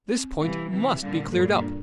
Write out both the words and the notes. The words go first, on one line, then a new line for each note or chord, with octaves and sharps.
This point must be cleared up.
C4
C3 E3 G3
C3 E3 C4
A#2 D3 G3
G2 A#2 A4
D4